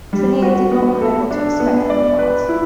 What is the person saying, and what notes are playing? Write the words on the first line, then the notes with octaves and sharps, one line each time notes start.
Trinneer did not know what to expect from the part.
G3
F#4
B3
A4
D4
B3
D5
B4
E4